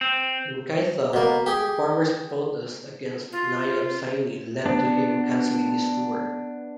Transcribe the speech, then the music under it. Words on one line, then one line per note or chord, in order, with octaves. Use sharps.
In Kaithal, farmers' protest against Nayab Saini led to him canceling his tour.
C4
B2 A#3
G4 G#4
F4
B3 D4